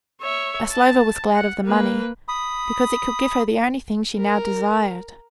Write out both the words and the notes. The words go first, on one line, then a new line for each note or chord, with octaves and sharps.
Maslova was glad of the money, because it could give her the only thing she now desired.
C#5 E5
A5
F#5
A#3 B4
B5 D#6
A#4